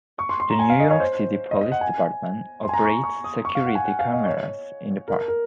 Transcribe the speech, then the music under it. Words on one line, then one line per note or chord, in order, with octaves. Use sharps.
The New York City Police Department operates security cameras in the park.
C#6
C6
C6
A#5
G#5
F5
D#5
C#5
C5
D#5
D#5
F#5
G#5
C6
G#5
A#5
C#6
C#6
D#6
C#6
F5
F#5
G#5
F#5
F5
D#5
C#5
A#4
A#4